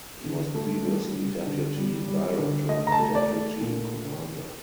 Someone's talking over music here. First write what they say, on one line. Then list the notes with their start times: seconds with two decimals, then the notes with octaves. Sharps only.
He was previously deputy director and deputy commander.
0.24 D3
0.55 A3
0.85 G3
1.16 G3
1.47 D3
1.77 G3
2.08 G3
2.39 D3
2.69 A3 D#5
2.87 A#5
2.92 A5
3.00 A3
3.15 D5
3.30 A3
3.61 A#2